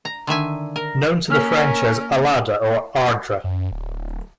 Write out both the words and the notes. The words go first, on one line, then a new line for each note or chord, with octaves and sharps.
Known to the French as "Allada" or "Ardres".
A#5
D3 D#3 E5 G#5
A#4
A#3 C#4 A#4 E6 F6 B6
F#2
D1